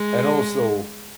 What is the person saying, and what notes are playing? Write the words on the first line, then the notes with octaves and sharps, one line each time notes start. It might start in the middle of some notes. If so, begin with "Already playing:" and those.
and, also,
Already playing: G#3